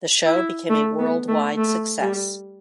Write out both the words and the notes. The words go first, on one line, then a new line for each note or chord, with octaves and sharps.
The show became a worldwide success.
E4
A3
B3
A3
A3
G3